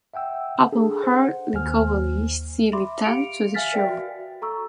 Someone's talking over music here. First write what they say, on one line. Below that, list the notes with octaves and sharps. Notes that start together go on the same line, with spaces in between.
Upon her recovery she returned to the show.
E5 F#5 G5 E6
D4 G#4 A4
C5 F#5
D#2 C5 G#5 F6
E5 B5 C6 D6
G4 F5 C#7 D7 F7
E5 F5 G#5 F6 A6 B6
A#4 B4 D5 E5 F5 G5
F#4
A4 A#5 C#6 E6